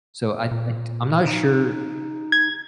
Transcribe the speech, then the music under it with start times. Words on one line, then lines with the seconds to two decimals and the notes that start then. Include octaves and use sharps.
So I I t I'm not sure.
0.51 A#2
1.27 D#4
2.32 G#6